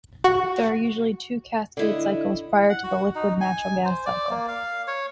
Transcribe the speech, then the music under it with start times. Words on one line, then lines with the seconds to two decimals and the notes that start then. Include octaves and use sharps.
There are usually two cascade cycles prior to the liquid natural gas cycle.
0.24 F#4
1.77 D3 E4 D#5
2.69 F#5
2.84 F#4
3.15 D#4
3.41 G#5
3.85 C5
4.06 D5
4.31 A#3
4.48 F5
4.88 C#5